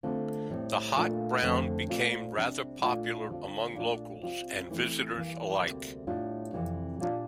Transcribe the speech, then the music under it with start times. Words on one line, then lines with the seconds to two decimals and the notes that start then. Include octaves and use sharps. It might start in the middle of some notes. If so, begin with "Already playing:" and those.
The Hot Brown became rather popular among locals and visitors alike.
0.03 D3 A3 C4 F4
0.50 A2 G3 C4
0.96 A#2 A3 D4 F4
1.43 F2 D3 A3 C4
1.89 A#2 A3 C4 F4
2.36 C3 G3 D4
2.82 A#2 A3 D4 F4
3.28 D3 G3 C4 F4
3.75 A#2 A3 D4 F4
4.21 C3 G3 C4 F4
4.68 C3 E3 A3 E4
5.14 G2 E3 A#3
5.60 D2 C3 G3 A#3
6.07 A2 G3 D4 F4
6.53 F2 C3 E3 G3
7.00 A#2 G3 D4 F4